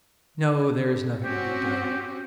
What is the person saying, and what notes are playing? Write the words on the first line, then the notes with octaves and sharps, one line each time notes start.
No, there is nothing to be done.
C4 C#4 F#4 G4